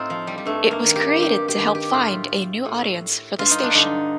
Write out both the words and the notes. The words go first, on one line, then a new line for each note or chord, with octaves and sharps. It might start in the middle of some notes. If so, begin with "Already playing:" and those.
It was created to help find a new audience for the station.
Already playing: A2 C4 D#4 F4
F3
G3
G3
G2 A3
A#3
D#3
G4
G2 G4
G4
D#3
G4
A2 F4
A2
G2 F4
D#4
D4
D3 D#4